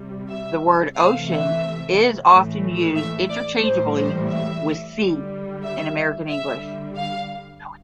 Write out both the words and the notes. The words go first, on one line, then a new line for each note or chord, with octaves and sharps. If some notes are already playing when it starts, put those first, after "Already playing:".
The word "ocean" is often used interchangeably with "sea" in American English.
Already playing: C3 G3
E5
C3 E3 A3 F5
E5
A2 E3 A3
E5
D5
A2 E3 G3 C5
C5
E5
D3 G3
E5
D3 G3 E5
F5